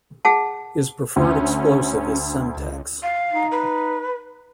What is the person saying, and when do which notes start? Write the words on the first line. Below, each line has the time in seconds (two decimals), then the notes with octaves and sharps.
His preferred explosive is Semtex.
0.25 G#4 F#5 A5
1.16 D2 C#4
2.56 C#2
3.03 F5
3.32 D#4
3.51 B4